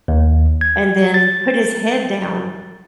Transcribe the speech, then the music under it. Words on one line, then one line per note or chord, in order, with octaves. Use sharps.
and then put his head down
D#2
G#6
A6